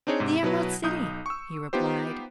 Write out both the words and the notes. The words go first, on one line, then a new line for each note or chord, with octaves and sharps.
"The Emerald City," he replied.
C4 D4 D#4 G#4 C#5
G#2 C3
B2 F#3 E4 B4
B1 D#4 D#6 G6
C#6 E6
B3 D#4 F4 G4 C5